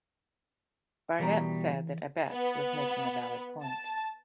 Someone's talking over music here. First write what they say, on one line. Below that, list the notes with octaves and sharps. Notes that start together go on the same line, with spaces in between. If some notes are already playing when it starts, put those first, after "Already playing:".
Barnett said that Abetz was making a valid point.
B2 E3 G3 A#4 A#5
B3
A5